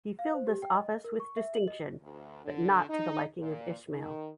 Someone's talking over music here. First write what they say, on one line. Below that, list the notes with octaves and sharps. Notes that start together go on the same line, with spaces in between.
He filled this office with distinction, but not to the liking of Ismail.
F5
C5
G4
G5
D#5
A#4
C#6
E5
F#7
D#5
D2
D3
D#4
A#2
D#3